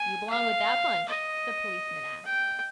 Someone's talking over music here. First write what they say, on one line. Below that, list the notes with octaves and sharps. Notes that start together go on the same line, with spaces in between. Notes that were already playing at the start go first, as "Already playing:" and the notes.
"Do you belong with that bunch?" the policeman asked.
Already playing: G#5
F5
D#5
G5